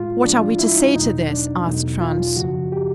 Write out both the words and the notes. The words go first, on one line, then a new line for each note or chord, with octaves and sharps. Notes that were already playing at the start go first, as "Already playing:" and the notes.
"What are we to say to this?" asked Franz.
Already playing: A2 G#3 F4
A2 F3 G#3 D4
F4
E4
D#4
E2 B2 F#3 A3 D#4
D4
E2 B2 F#3 A3 D#4
F4
F#2 C#3 F3 F#4
G4